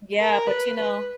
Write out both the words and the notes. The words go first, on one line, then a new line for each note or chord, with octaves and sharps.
Yeah, but, you know,
A#4
B4
B4